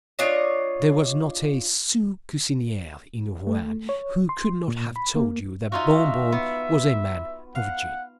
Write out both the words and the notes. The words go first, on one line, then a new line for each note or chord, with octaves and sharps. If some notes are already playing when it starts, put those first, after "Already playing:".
There was not a sous-cusinier in Rouen, who could not have told you that Bon-Bon was a man of genius.
D4 F4 C#5 D#5
A3
C#5
C6
A#2
B5
A#3
D#4 F4 F#4 E5
B3
F5 F#5